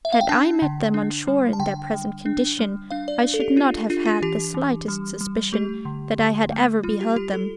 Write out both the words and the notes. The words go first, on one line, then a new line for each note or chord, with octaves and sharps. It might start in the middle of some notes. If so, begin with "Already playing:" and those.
Had I met them on shore in their present condition I should not have had the slightest suspicion that I had ever beheld them.
E5
F5
G5
D4 A5
D3
D4
G3
A5
D3 G5
G3
D4
G3
D4 F5
D5
D4
A4
G4
D4 F4
D4 F4
F4
E3 G4
E3
G3
G3
A3 G4
D3
D3
A3
G3 F4
G4
G3 G4
A4